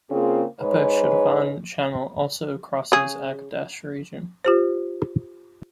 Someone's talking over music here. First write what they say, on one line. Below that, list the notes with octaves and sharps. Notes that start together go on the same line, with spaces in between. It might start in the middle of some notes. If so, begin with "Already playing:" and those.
Upper Shirvan Channel also crosses Agdash region.
C#3 A#3 C4 F4 G#4
G#2 G#3 B4 C#5
C#3 G#4
F4 G4 C5